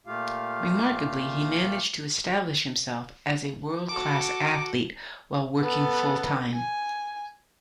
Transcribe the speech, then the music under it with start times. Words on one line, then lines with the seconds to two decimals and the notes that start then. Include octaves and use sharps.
Remarkably, he managed to establish himself as a world class athlete while working full-time.
0.07 A#2 A3 F4 G4 F5
3.89 F#4 A4 D6
5.61 B3 A4
6.54 G#5